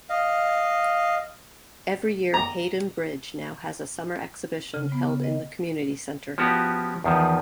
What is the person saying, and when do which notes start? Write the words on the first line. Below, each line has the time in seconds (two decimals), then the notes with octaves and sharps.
Every year Haydon Bridge now has a Summer Exhibition held in the community centre.
0.10 D#5 F5
2.34 A#5
4.74 C#3
4.92 B3
5.09 C#3
5.24 D#5
6.38 F3 B3 C#4 F#4 G4
7.04 E2 D#3 F3